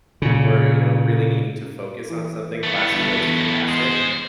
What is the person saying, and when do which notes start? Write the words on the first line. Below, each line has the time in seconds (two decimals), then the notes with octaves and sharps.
or, you know, really needing to focus on something, classical is fantastic.
0.22 A#2 C#3
2.10 E3
2.63 A3 B3
2.93 G1
3.19 E2
3.69 G#3 C5